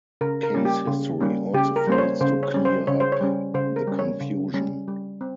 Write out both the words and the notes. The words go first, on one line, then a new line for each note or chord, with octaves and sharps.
Case history also fails to clear up the confusion.
C#3 A#4
A#4
G3 A#3 C#4
G4
C#3
G3 A#3 C#4
C#3 G4
A#4
G3 A#3 C#4 C5
C#5
C#3 C5
C#5
G3 C#4
C5
C#3 C#5
C5
C#5
G3 C#4
C#3 C5
A#4
G3 C#4
C#5
C#3
G3 C#4
G3
C4